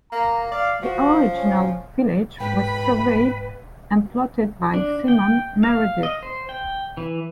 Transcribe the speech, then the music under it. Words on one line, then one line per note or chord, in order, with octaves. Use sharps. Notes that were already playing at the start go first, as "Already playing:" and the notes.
The original village was surveyed and plotted by Simon Meredith.
A#3 A#5
D5 F5
F3 F#4
C#4
G#2 B4 G5 B5
D4
G5
F5
D#5
C5
G5
E3